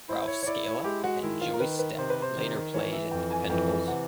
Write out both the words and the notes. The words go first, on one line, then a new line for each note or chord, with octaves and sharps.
Ralph Scala and Joey Stec later played in The Dependables.
E4 C5
C#5
C#5
E4 D5
C#5
G#3 G4
F#4
D#3 E4
F4
A#4
D#3 B4
B4
C3 C5
B4
C5
D#3
E3 C#5
E5
F2 G5
G#5
E3 G5
C3 F#5